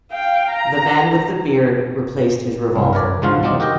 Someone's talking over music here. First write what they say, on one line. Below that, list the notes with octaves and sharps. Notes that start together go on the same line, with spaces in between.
The man with the beard replaced his revolver.
F5 G5
A#5
C2
A#4 B4 C#5 D5
C#2 G#2 D3 F4 F#4 F5
F3 F#3 C4 D#4 D5
F#4 G4 A#4 D#5 G5